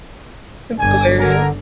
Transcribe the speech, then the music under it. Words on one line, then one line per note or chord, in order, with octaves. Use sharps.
That's hilarious.
G1 D4 G#5
D3 A#4 G#5